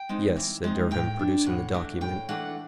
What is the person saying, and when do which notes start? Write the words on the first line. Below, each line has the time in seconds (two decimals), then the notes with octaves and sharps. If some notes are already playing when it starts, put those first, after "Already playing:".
"Yes," said Durham, producing the document.
Already playing: G5
0.09 G#3 C4 D#4
0.36 E3
0.64 G#3 C4 D#4
0.91 A2 G5
1.19 E3 A3 D4
1.46 A2 F#5
1.74 E3 A3 D4
2.01 A2 G5
2.29 E3 A3 D4 F#5